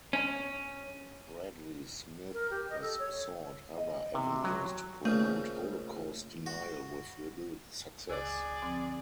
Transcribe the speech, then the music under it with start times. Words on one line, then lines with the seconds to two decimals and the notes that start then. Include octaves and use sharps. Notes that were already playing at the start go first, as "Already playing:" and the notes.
Bradley Smith has sought other avenues to promote Holocaust denial - with little success.
0.13 C#4
2.34 A#4
2.51 G4
2.70 D#5
2.81 A4
2.99 C#5
3.78 D#5
4.14 C3
4.44 F#3
5.05 A#1 C#3 A3
6.46 F#4
8.09 C#2 G#4 D5 E6 F#6
8.62 D3 F3 C4